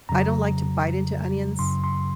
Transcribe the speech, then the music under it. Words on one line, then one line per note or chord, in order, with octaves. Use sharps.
I don't like to bite into onions.
F2 C#3 F#3 A#5
F#2 C#3 F#3 C6
C6